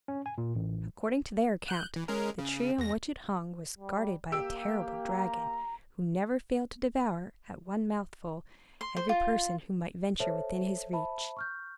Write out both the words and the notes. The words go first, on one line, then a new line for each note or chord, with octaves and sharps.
According to their account, the tree on which it hung was guarded by a terrible dragon, who never failed to devour, at one mouthful, every person who might venture within his reach.
C#4
G#5
A#2
A1
F#6 G6
E3
G#3 C#4 A#4
C#3
E2 A#6
G3
A#3 G4 E6 D7
A#5
C6
C5
F4
A4 C5 C#5 E5 A5
C5 E5 A5 B5
C#6 F6 G6